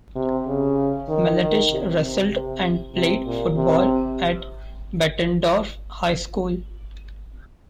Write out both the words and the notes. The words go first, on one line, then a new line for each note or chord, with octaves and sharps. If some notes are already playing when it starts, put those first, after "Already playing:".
Miletich wrestled and played football at Bettendorf High School.
C3
C#3
D#3
D#3
C3
C3
C3
C3
A#2
C3